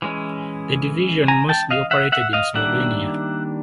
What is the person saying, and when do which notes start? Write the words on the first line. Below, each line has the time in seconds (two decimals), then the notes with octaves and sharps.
The division mostly operated in Slovenia.
0.02 E3 G#3 C#4
1.28 G#5 A#5
1.49 G5 A5
1.71 D#5 F5
1.91 E5 F#5
2.12 E5 F#5
2.33 D#5 F5
2.54 D#3 G3 A#3 D4 E5 F#5